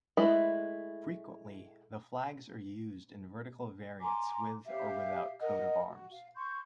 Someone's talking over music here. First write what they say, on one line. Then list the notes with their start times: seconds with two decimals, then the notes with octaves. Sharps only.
Frequently, the flags are used in vertical variants with or without coat of arms.
0.17 G#3 A3 E4 B4
4.01 G#5 A#5 C6 D6
4.66 G4 E5 F5
5.40 A#4 D#5 F#5
5.88 F#4
6.13 F5
6.36 C6 C#6 G6